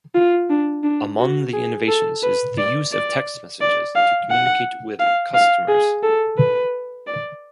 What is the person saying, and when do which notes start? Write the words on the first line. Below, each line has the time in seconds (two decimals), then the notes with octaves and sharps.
Among the innovations is the use of text messages to communicate with customers.
0.15 F4
0.50 D4
0.84 D4
1.19 F#4
1.53 G#4
1.88 A4
2.23 B4
2.58 D5
2.92 D5
3.61 D5
3.95 F5
4.30 F#5
4.99 F5
5.34 F5
5.68 G#4
6.03 A4
6.38 B4
7.07 D5